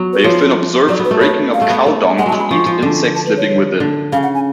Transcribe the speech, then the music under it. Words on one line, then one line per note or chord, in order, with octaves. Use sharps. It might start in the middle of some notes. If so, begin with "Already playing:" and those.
They have been observed breaking up cow dung to eat insects living within.
Already playing: F#3 B3
B4
F3 C#5
F#3 D5
B3
B4
A3
B3 C#5
F5
A3
B3
A3
G#3 F#5
F#3 A5
G#3
B5
F3 C#6
F3
D3
A5
B4
C#5
D3
C#3 F5
F#5
G#5